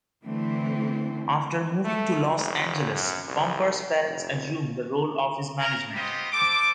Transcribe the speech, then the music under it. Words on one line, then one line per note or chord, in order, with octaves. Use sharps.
After moving to Los Angeles, Bumper's parents assumed the role of his management.
D3 E3 A3 C4
A3
F1
F#2
C2
F1
A#4
B3 F4 G4 C5 D#5
A4 C5 D6